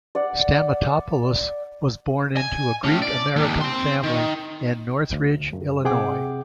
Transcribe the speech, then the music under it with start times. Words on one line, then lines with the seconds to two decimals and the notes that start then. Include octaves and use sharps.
Stamatopoulos was born into a Greek-American family in Norridge, Illinois.
0.15 D5 F#5
2.37 G#5
2.84 A2 C#4
3.02 D5
3.36 D#2 C3
3.61 C4 C6
4.04 D#3
5.12 D2
5.53 F#2
5.85 C3 C4 G#4 F#5 G5 D6